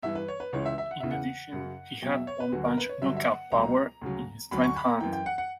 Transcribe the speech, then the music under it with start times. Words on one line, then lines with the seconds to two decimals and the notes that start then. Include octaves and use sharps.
In addition he had one-punch knockout power in his right hand.
0.03 G2 E3 E5
0.15 B4
0.28 C#5
0.40 B4
0.53 C#2 C#3 E3 C#5
0.66 E5
0.78 E5
0.91 F#5
1.00 E2 C#3 E3 E5
1.11 F#5
1.53 F#2 C#3 F#3
2.02 E2 B2 F#3 G5
2.14 E5
2.27 C#5
2.40 B4
2.52 D2 D3 F#3 F#4
2.65 A#4
2.78 B4
2.89 C#5
3.02 G2 D3 F#3 E5
3.16 E5
3.27 F#5
3.52 C#2 B2 F#3 A#5
4.01 D2 C#3 F#3
4.51 D2 D3 F#3 B5
4.64 C#6
4.76 B5
4.88 A#5
5.00 F#2 E3 G5
5.13 G5
5.26 F#5
5.38 F#5